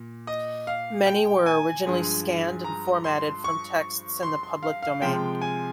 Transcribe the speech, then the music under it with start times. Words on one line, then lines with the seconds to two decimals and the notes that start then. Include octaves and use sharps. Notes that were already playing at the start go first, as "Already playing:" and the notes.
Many were originally scanned and formatted from texts in the Public Domain.
Already playing: A#2
0.27 D#5
0.67 F5
1.07 G5
1.46 G#5
1.86 G2 F3 G#3
2.64 A#5
3.04 C6
3.44 C#6
4.23 C6
4.43 C6
4.63 F5
4.82 F5
5.02 C3 F3 G#3 G5
5.41 G#5